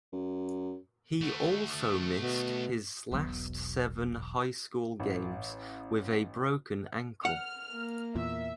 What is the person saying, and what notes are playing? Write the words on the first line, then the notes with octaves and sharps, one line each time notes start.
He also missed his last seven high school games with a broken ankle.
F#2
A3 F#4
B2
E1 B1 F#3 B3
A1
F#5 F6
A#3
E2 A#2 E5